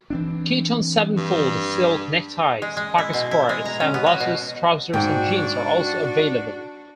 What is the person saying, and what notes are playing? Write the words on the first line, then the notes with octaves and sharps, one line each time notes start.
Kiton sevenfold silk neckties, pocket squares, sunglasses, trousers and jeans are also available.
E3 C4 D4
G2
G#3
G#3
E4
B2
E4
G#3
A#5
C#4
B3
F#4
B2
G#2 D4 F#4 G5